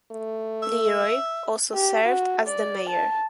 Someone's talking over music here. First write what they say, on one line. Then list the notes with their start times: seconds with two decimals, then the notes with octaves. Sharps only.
Leroy also served as the Mayor.
0.11 A3
0.62 E5
1.74 G4
2.04 F#4
2.47 D5
2.89 A5